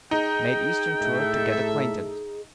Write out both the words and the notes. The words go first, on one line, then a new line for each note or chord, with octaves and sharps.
Made Eastern tour "to get acquainted."
D#4 G#4 G5
A2 A4 E5